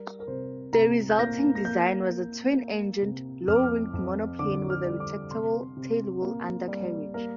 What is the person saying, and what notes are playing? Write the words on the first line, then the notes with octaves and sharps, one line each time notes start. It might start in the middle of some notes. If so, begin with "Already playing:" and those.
The resulting design was a twin-engined, low-winged monoplane with a retractable tailwheel undercarriage.
Already playing: G3 A#4
A#4
C3 C5
C3 A#5
G6
A#3 A#6
A#6
A#3 G6
A#3
A#3
C3
F2 F6
D6
F6
F2
D3 D6
F6
G3
D6
C3 C6
C3
A#3
G3
A#3 A#4